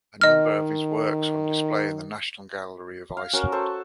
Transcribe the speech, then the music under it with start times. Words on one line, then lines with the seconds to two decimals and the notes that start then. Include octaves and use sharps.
A number of his works are on display in the National Gallery of Iceland.
0.21 D#3 D#5 F6
3.17 F5
3.33 C#4 F#4 A#4 A#5
3.52 A4 C5 C#6